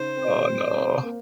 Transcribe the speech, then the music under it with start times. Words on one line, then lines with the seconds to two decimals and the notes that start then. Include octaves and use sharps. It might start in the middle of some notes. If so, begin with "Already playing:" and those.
Oh, no.
Already playing: C#3 D#4 C5
0.17 C4
0.45 C4
0.74 C4
1.03 A#3